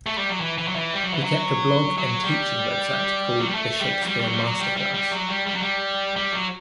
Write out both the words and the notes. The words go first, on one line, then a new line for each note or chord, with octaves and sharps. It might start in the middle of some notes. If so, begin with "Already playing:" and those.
He kept a blog and teaching website called "The Shakespeare Masterclass".
A3
G3
F#3
E3
E3
F#3
E3
G3
F#3
E3
F#3
F#3
G3
F#3
G3
A3
G3
F#3
G3
G3
F#3
G3
F#3
G3
G3
G3
F#3
G3
G3
F#3
G3
G3
F#3